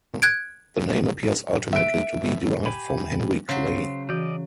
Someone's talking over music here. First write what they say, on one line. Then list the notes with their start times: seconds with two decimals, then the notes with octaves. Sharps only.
The name appears ultimately to be derived from Henry Clay.
0.22 F#6 G#6 D7
1.73 E5 D7
2.66 G4 G#5 B5
3.49 C#3 F#3 C5
4.09 E3 C#4 F#4 D5 D#5 G6